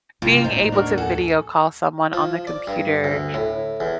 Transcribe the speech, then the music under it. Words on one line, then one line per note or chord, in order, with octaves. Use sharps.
Being able to video call someone on the computer,
C#2 C3 A3 F4
A2 A#3 D#4 C5
D#2 A2
D4 F#4 A#4
A4 F#5 G#5
F3
D5
G2
D2
A2
E2